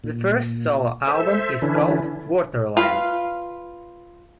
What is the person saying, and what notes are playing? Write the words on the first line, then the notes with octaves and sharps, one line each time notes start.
The first solo album is called "Waterland".
A#2
A4 C5 E5
D3 E3 C#4 D4 E4
F4 B4 F5